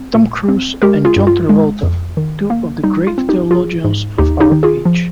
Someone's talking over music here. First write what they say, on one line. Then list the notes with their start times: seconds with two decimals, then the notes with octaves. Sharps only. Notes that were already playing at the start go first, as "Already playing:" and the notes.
Tom Cruise and John Travolta - two of the great theologians of our age.
Already playing: C4
0.15 A#2
0.49 C4
0.82 G#3 G4 A#4
1.05 F4 G#4
1.16 G2
1.27 F4
1.49 G#3
1.83 F2
2.17 D#3
2.50 A#3
2.83 G3 D#4
3.07 F4
3.18 C4
3.29 D#4 G4
3.51 F3 F4 G#4
3.84 G#2
4.18 D#2 D#4 G4
4.40 D#4 G4
4.52 D#3
4.63 F4 G#4
4.85 F3